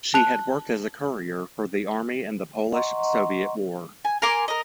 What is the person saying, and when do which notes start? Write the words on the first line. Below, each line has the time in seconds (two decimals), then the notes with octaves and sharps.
She had worked as a courier for the army in the Polish-Soviet War.
0.14 A5 F#6 F7
2.72 D#5 F#5 A#5 C6 C#6
4.05 G#5
4.22 A#4 G#5 C6 D6
4.48 A#4 D#5